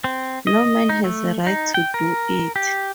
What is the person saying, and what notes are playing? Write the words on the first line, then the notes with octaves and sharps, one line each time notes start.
No man has a right to do it.
C4
D#5
D#4
A3
D#4
G5
A#4
G4